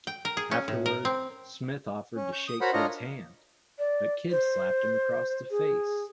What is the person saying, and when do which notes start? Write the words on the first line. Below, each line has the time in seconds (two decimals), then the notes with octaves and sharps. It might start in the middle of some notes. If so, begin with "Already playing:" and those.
Afterward, Smith offered to shake Kidd's hand, but Kidd slapped him across the face.
0.07 G5
0.25 A#4
0.37 G#4
0.51 C#4
0.68 A2
0.86 A#4
1.05 C4
2.16 C#4
2.33 C#6 G6
2.48 D#6
2.61 F#4 A#4 C5 C#5 F#5 B5
2.73 D4 F4 A#4 C#5 D#5
3.79 D5
4.31 C5
5.50 G#4